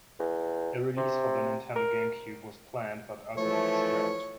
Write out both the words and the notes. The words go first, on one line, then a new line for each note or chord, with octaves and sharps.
A release for the Nintendo GameCube was planned, but ultimately scrapped.
E2
C3
A#4
E3 F3 A3 C#5